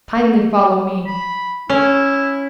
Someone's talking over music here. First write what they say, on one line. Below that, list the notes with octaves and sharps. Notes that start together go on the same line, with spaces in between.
"Kindly follow me."
B5
C#4 E4